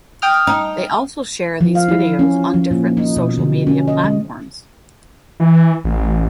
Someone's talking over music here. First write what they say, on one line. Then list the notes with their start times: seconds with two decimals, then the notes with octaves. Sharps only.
They also share these videos on different social media platforms.
0.22 G5 D#6 F6
0.47 D#4
1.61 F3
1.75 F5
1.89 E4
2.19 C#4
2.54 F3
2.71 A#2
2.97 D#4
3.17 B2
3.38 D3
3.67 C#4
3.88 D#5
4.04 G#3
5.40 E3
5.84 A1